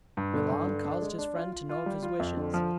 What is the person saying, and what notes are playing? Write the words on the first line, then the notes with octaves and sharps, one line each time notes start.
Milon caused his friend to know of his wishes.
G2
D3
G2
D3
D4
G#3
D4
F4
F4
F4
G3
F4
F2
D3
F3